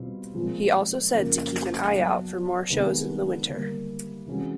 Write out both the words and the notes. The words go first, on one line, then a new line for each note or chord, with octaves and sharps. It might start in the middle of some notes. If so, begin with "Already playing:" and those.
He also said to keep an eye out for more shows in the winter.
Already playing: B2 G3 C4 F4
A#2 F3 G#3 C4 F4
F2 C#3 F3 A#3
F#3 B3 D4
C3 D#3 G#3 B3 D4
D3 G3 A#3
C3 E3 G#3 C#4 F#4